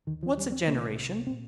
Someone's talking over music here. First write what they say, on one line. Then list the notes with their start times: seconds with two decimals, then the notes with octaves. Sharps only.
"What's a generation?"
0.07 D#2 D#3
0.23 F3
0.37 G3
0.52 C4
0.67 C2 C3 A#3
1.27 C4
1.30 A#2